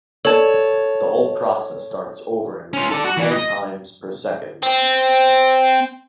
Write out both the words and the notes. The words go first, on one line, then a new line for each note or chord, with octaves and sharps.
The whole process starts over and repeats many times per second.
A4 C#5 A5 G#6
C#4 F4
A4 D5
F#4
E3
D#5
C4